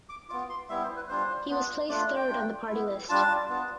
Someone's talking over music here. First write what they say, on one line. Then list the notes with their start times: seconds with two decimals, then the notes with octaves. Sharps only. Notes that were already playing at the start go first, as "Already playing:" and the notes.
He was placed third on the party list.
0.09 D6
0.29 F4 D6
0.33 B3
0.49 C6
0.69 G3 B3 E4 E5
0.83 C5
0.96 B4
1.09 G3 D4 F4 C5
1.49 B3 D4 F4
1.89 A3 D4 F4 D5
2.16 G5
2.29 A3 D4 F4
2.69 B3 E4
3.09 G3 D4 F4 A5
3.49 B3 D4 F4